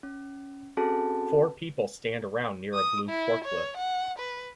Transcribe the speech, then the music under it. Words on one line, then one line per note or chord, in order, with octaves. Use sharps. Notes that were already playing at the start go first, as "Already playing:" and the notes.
Four people stand around near a blue fork lift.
C#4
C4 C#4 F#4 G#4 A4 A5
D#6
E4
C#5
F#5
B4